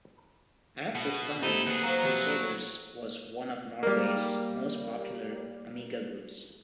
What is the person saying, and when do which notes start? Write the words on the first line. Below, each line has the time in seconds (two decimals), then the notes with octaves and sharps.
At this time, The Crusaders was one of Norway's most popular Amiga groups.
0.95 B2 F#5
1.43 C3 A#3 D#4 E4 A4
1.67 D2 B3 G#4
1.83 F#3 C5 F5 A#5
2.01 C3 F3 F4
3.83 G3 A#3